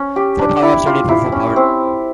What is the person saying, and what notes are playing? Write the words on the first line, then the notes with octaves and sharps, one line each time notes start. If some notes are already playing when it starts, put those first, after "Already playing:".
Four power-ups are needed for full power.
Already playing: C#4
G4
D4
E4
F4
E4
C#4
C4